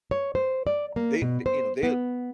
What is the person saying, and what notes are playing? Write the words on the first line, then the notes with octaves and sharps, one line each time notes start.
they th you know, they
C#5
C5
D5
A#3
B2
C5
B3